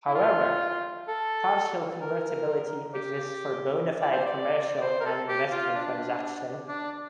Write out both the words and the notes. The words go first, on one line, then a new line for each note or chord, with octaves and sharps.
However, partial convertibility exists for bona fide commercial and investment transaction.
E4
F4
A4
A#4
G4
D5
C5
D5
D5
C5
A#4
A4
G4
F4
D4
D4